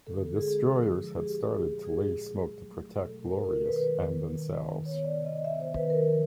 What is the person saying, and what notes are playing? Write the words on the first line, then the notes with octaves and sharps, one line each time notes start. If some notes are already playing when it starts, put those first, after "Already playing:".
The destroyers had started to lay smoke to protect "Glorious" and themselves.
D3 A4
B3
G#3 G#4
D3
F3
D3
G#3
B3 G#4
A#2 G4
F3
G#4
A#2
G#3 G4
A#2 G#4
A#2
G#3
A#2
F#3
A3
F#3
B2
A3 A4
B2 A#4
B2
A#4
B2
D#3 B4
G#3
D#3
B3
D#3
D#3
D#3
B3
B3 C#5
D#3 D5
C3
B3 D#5
B3 E5
D#3 C5
D#3 B4
D#3 A#4
F3